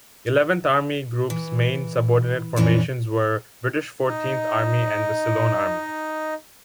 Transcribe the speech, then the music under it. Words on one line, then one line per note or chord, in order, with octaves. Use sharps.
Eleventh Army Group's main subordinate formations were British Fourteenth Army and the Ceylon Army.
E3
F2 E3 C#4 D4
D#4 D#5